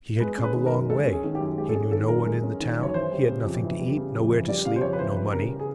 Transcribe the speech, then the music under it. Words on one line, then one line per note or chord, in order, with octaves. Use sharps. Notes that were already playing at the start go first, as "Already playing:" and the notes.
He had come a long way, he knew no one in the town, he had nothing to eat, nowhere to sleep, no money.
G#3 B4
C#4
B4
D#3
A#4
F#2
G#3 A4
C#4
G#4
D#3
G4
F#2
G#3 G4
A4
C#4 G#4
D#3 A4
F#2 A#4
G#3
C#4
D#3
F#2
C#5
E3 C5
G3
C#3
F2
E3
G3
C#3
F2
E3
G3 D5
C#3 F5
C5
F2 C#5
B4
E3 C5
G3 B4
C#3 A#4
G#4